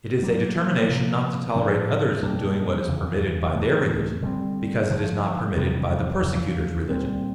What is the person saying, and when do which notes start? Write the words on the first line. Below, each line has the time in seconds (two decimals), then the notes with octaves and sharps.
It is a determination not to tolerate others in doing what is permitted by their religion, because it is not permitted by the persecutor's religion.
0.22 B2 F#3 A#3
0.89 C3 F3 A#3
1.55 A2 F3 A3 D4
2.22 B2 G3 A#3 D4
2.88 E2 C#3 E3
3.55 A2 E3 A3
4.22 D3 G3 C4
4.89 D3 F3 A3
5.55 E2 C3 D#3 G3
6.22 E2 C#3 F3
6.89 A#2 G3 C4